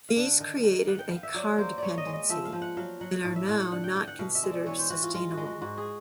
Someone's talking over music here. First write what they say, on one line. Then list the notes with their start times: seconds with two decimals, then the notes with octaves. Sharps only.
These created a car dependency and are now not considered sustainable.
0.09 F5
0.16 D3
0.40 D#3
0.64 D#3
0.88 B3 F#5
0.99 G5
1.11 B3 F5
1.23 E5
1.34 F#3 D5
1.58 A#3 C5
1.78 B3 C#5 D5
1.98 D#5
2.06 G#3
2.13 D#5
2.30 F3 E5
2.45 F5
2.53 F3
2.62 F#5
2.77 F#3 F5
3.01 F#3 F#5
3.24 A2 F5
3.36 E5
3.48 A2 F5
3.60 F#5
3.71 D3 F#5
3.84 G5
3.95 B3 G5
4.07 F#5
4.19 B2 F5
4.35 E5
4.43 G#3
4.51 D5
4.66 E3 C#5
4.79 C5
4.90 E3 F#4
5.03 F4
5.14 G#3 F4
5.31 F#4
5.37 G#3
5.46 F#4
5.62 G#2 F#4
5.78 G#4